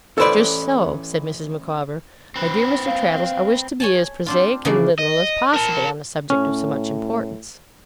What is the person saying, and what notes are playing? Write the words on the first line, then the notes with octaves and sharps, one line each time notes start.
'Just so,' said Mrs. Micawber, 'my dear Mr. Traddles, I wish to be as prosaic and literal as possible on a subject of so much importance.'
A1 A4 B4 C5 D5
C4 B4
F5
C#5 G#5 A5
C4 D4 F4
C#3 E3 A#3 D4 A4
D#5
A#4 A5
A2 C#4